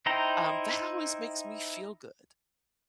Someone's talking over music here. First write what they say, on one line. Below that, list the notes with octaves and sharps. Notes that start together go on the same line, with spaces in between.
Um, that always makes me feel good.
D#4 E4 C5 G5 A#5